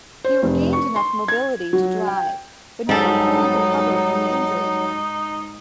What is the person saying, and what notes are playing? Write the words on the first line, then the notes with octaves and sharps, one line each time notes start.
He regained enough mobility to drive but never fully recovered from the injury.
C5
F1
C#6
C6
G#6
F#3
G5
G#2 F#3 G3 D#4 A4